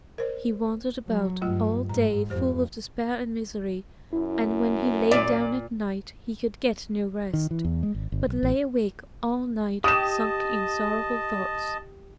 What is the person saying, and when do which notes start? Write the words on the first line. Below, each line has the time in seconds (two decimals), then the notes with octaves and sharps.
He wandered about all day full of despair and misery, and when he lay down at night he could get no rest, but lay awake all night sunk in sorrowful thoughts.
0.18 A#4 C5 D5
1.07 F#3
1.42 G2 F#3 A3 F4
1.89 G#2 A#5
2.30 F2 G4 C5
4.13 F#2 E4
5.11 A#2 D5
7.33 D#3
7.51 E3
7.65 E2
7.83 G#3
7.95 G#1
8.12 G1
8.27 B1
8.43 A1
9.84 G4 D#5 A5 D#6 E7